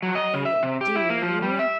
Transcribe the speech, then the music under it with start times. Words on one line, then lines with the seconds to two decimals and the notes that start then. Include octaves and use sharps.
I do.
0.03 F#3
0.15 D#5
0.34 C#3
0.45 E5
0.63 C3
0.81 G4
0.96 E4
1.10 A#3
1.22 F3
1.42 G3
1.59 E5